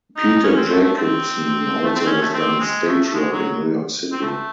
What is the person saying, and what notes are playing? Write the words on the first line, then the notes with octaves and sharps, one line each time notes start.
Peter Jacobson also has done stage work in New York City.
D#4
C#4
C4
A3
A3
C4
A3
C4
C#4
A3
C4
G#3
A3
A3
G#3
F#3
C4
A3